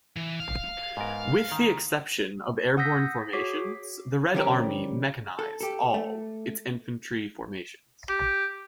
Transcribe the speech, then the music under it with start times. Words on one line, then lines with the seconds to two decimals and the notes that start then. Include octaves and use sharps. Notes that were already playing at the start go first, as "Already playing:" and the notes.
With the exception of airborne formations, the Red Army mechanized all its infantry formations.
0.17 E3
0.40 F5
0.97 G#2 B3 A#4
1.52 D#3
2.77 F#5 D#6 E6 G6 A#6 B6
3.33 F#4 G#4 C#5 D6 B6 C7
4.34 D3 F3 G3 C#4 G4 A#4
5.39 A4
5.60 G4 A4
5.94 A3
8.09 G4